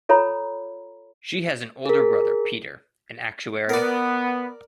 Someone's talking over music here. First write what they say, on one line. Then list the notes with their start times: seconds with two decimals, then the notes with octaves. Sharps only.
She has an older brother Peter, an actuary.
0.09 F4 A4 C#5 A#5 B5
1.86 G#4 A#4
3.69 B3 A#4 D5